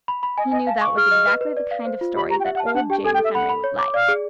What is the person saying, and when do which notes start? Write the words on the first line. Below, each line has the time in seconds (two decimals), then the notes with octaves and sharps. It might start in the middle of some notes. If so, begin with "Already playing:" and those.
He knew that was exactly the kind of story that old James Henry would like.
0.08 B5
0.23 B5
0.38 D#5 G#5
0.52 D#5 G#5
0.67 F5 A5
0.81 C#6 D6
0.97 G#4 F6
1.11 D#5
1.27 B4
1.41 B4
1.57 D5
1.71 F5
1.85 C5
2.01 F4
2.16 G4 B5
2.30 G4 A#5
2.40 G5
2.45 E5 F#5
2.55 F#5
2.60 A5
2.65 F5
2.75 D4 F#5
2.90 G4 G5
3.04 A4 G#5
3.14 G5
3.19 A4 E5
3.34 F#5 B5
3.49 B5
3.64 C#5
3.79 D6
3.94 D5 F5
4.08 G#4